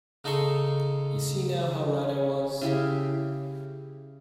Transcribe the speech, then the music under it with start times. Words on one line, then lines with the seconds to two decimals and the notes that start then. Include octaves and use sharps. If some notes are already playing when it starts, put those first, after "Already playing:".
You see now how right I was.
0.24 C#3 D#4 A4 C6 C#6
2.61 C#3 E4 G4